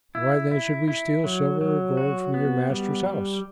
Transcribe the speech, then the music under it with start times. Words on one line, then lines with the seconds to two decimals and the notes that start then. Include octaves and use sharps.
Why then should we steal silver or gold from your master's house?
0.15 E4
0.51 E4
0.88 E4
1.24 F#3
1.61 F#3
1.97 F#4
2.34 B3
2.70 G3
3.06 G3